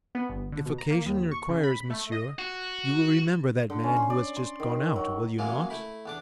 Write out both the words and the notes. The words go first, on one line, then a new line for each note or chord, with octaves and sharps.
"If occasion requires, monsieur, you will remember that man who has just gone out, will you not?"
B3
G1
D3
B2
A#5
A#3
D#2
C#6
C#3
B5
A3
D#5
F#4
D3
C#4
C6
D5
C6
D#3
F#3
E3 F#3 G#3 A#3 C#4 F4
A3 E4 B5
E2 D4 D6